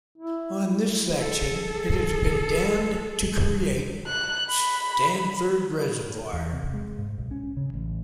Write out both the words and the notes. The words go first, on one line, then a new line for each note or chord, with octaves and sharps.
On this section, it has been dammed to create Stanford Reservoir.
E4
G#4 A4
F#6
B5
E2
C3
G#3
G#2
B1
C#4
C#3
A1